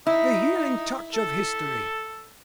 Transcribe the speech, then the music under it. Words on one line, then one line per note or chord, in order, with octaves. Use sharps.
"The healing touch of history."
D#4 E4
A4